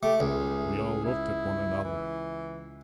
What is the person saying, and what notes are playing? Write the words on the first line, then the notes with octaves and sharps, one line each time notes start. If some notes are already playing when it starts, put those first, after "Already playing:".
We all looked at one another.
A3 G4
C#2 G#4
E4
E3